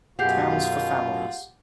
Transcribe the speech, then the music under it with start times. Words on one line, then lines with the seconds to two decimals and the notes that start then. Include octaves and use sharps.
Towns for Families.
0.19 F#2 B2 F4 G4 G#4 F5 F#5 G6